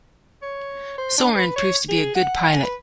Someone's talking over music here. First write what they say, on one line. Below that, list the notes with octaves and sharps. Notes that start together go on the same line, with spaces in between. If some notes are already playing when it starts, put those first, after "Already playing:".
Soren proves to be a good pilot.
C#5
C5
D4
B4
C#5
G#4
F#5
G#5
B4